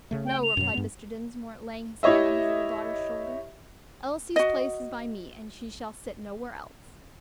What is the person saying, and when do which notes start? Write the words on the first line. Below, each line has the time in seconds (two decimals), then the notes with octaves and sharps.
"No," replied Mr. Dinsmore, laying his hand on his little daughter's shoulder, "Elsie's place is by me, and she shall sit nowhere else."
0.11 C#3 A3
0.25 G5
0.43 F7
0.57 F#2 B2 F#3
0.74 G2 B3
2.03 E4 G4 C#5 D#5 E5
4.36 F#4 D#5